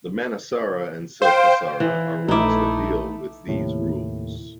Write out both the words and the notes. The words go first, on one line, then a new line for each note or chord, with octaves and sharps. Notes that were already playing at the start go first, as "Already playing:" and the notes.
The Manasara and Silpasara are works that deal with these rules.
C5 F5 G5
E3
A#1 A3 D#4 E4 D6
D#2 A2 C3